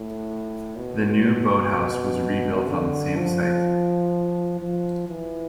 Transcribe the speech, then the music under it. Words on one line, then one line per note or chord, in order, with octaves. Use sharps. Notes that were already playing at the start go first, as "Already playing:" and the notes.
The new boathouse was rebuilt on the same site.
Already playing: A2
B2
B2
D3
F3
F3
E3